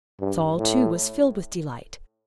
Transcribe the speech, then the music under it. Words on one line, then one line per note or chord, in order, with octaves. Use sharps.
Saul, too, was filled with delight.
G2
A2